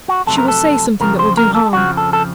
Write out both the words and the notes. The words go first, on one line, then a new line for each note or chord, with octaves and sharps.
She will say something that will do harm.
F#4
F2 C3 F#3 A3 A4
A#4
A4
F2 C#3 F3 A#4
C5
A#4
A4
F2 C#3 F3 F#4
A4
A4